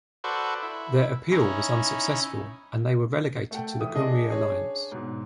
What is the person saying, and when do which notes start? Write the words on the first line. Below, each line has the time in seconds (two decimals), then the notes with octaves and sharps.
Their appeal was unsuccessful and they were relegated to the Cymru Alliance.
0.24 F#4 A4 B4 C5 D5 C#6
0.63 E4
1.32 C#4 D#4 E4
3.51 A3 F#5 G5
3.80 E3 E4 D#6
3.95 D4 G#4 D#5
4.30 G#4 C#5
4.92 G#2 B2